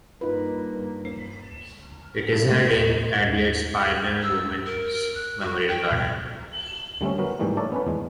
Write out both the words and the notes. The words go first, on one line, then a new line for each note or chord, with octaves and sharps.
It is held in Adelaide's Pioneer Women's Memorial Garden.
G2 A#3 D#4 F4 B4
G2
G#3
D#5
E6
A#4
F#6
F#4
G5
D3 G3 A3 C4 C#4
F#3 B3 F#4 A#4 B4
G#2 E3 G3 A3 A#3
A3 D4 A4 A#4 C#5 D5
B3 C#4 B4
E2 G#3